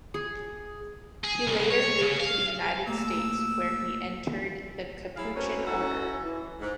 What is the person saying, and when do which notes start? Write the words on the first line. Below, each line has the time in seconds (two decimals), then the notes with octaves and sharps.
He later moved to the United States where he entered the Capuchin Order.
0.14 G#4
1.24 G#4
1.47 C2
1.70 C#5
2.01 C#3
2.20 F5
2.87 A#2 A3 A#5 E6
5.17 F#3 E4 G#4 F5
5.36 A3 A#3 C4 C#4 F#4 B4
5.66 C#4 D#4 E4 F#4 A4
6.22 E3
6.61 G#2